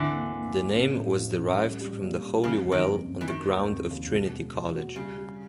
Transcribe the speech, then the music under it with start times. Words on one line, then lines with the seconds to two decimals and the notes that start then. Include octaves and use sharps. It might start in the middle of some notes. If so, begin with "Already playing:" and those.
The name was derived from the holy well on the ground of Trinity College.
Already playing: G#1 D2 D3 E3
0.12 A#3
0.33 A#3
0.54 A#3
0.75 A1
0.97 A2
1.17 F3
1.38 A1
1.60 G3
1.81 G3
2.02 A#2
2.22 G3
2.44 F2 C#3
2.65 F2
2.72 D#3
2.86 F#1
3.07 F#1
3.21 E3
3.28 D#3 F#3
3.49 D#2
3.70 F1
3.91 D#2
4.12 B2
4.33 G#3
4.54 B2
4.75 F#4
4.96 C#3 G3
5.17 G3